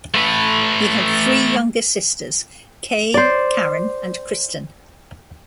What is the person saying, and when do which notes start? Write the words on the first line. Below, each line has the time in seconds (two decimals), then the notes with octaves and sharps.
He had three younger sisters, Kay, Karen and Kristen.
0.15 A3 B4
3.14 C5 D5